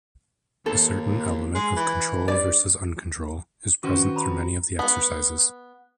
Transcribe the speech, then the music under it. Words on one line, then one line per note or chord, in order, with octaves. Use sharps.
A certain element of "control versus uncontrol" is present through many of the exercises.
D#2 A4
G#3
E3
G2 D5
D#3 C#4 F#4 B4 C5
A#5 B5
B3